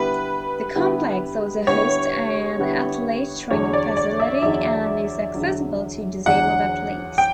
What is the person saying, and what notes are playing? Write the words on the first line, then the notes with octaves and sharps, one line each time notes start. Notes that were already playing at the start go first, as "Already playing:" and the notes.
The complex also hosts an athlete training facility, and is accessible to disabled athletes.
Already playing: D3 G3 B3 E4 G4 B4
D3 G3 B3 E4 G4
D3 G3 B3 E4 G4 C#5
D3 G3 B3 E4 G4
E2 D3 F#3 C#5
D5
D5
E5
E2 D3 F#3 E5
E2 D3 F#3
E2 D3 F#3 F#5
G5